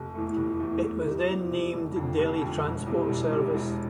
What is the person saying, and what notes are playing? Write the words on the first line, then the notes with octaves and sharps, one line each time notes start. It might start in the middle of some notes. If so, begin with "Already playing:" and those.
It was then named "Delhi Transport Service".
Already playing: F1
E2 E3 A3
F1
E2 E3 A3
E2
C3 G3
E2
C3 G3
F1
F2 D3
F1
F2 D3
E1
E2 C3 G3
E1
E2 C3 G3
E1